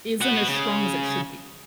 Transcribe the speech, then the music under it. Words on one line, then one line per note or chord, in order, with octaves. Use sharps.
isn't as strong as it should be.
B3 F#4
C#3